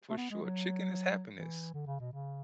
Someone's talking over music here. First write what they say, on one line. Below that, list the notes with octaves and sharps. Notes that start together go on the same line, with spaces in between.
for sure, chicken is happiness.
A3
B3
G#3
F#3
E3
D3
C#3
B2
C#3